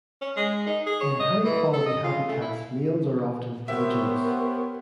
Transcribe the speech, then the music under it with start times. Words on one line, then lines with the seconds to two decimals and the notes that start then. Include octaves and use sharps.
In high-quality habitats, males are often polygynous.
0.21 C#4
0.36 G#3
0.66 D#4
0.86 G#4
1.01 C#5
1.20 D#5
1.44 E3
1.73 A4
1.86 D#5
2.04 F4
2.28 A3
2.42 E4
3.68 B3 G4 A#4 C5 C#5 E5